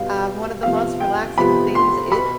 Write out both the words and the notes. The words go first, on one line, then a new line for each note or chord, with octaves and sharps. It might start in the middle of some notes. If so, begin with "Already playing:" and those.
Um, one of the most relaxing things, e
Already playing: B2 G3 B3 F5
C3 F3 B3 F5
G5
C3 F3 B3 B5
C6
B2 B3 B5